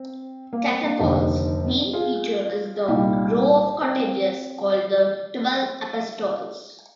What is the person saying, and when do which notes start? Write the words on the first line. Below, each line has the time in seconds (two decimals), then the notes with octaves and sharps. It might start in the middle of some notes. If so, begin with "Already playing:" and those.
Catacol's main feature is the row of cottages called the 'Twelve Apostles'.
Already playing: C4
0.53 A#3
0.69 C4
0.84 A#3 D4
0.99 F1 D#2 D3 D#4 G4
1.93 F4 G#4
2.87 C2 A#2 G3 D#4 G4
3.82 C4